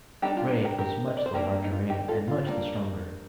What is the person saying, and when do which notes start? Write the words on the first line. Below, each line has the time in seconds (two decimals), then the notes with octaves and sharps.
Grey was much the larger man and much the stronger.
0.22 G3 D4 D#4 G4
0.37 F4
0.51 D#4
0.65 G4 A#4
0.78 G4 A#4
1.08 D#5
1.17 D5
1.26 C5
1.34 G3 A#3 D4 G4 A#4
1.64 D#4
1.71 F4
1.90 D#4 G4
2.08 F4 A4
2.27 F4
2.46 G3 A#3 D4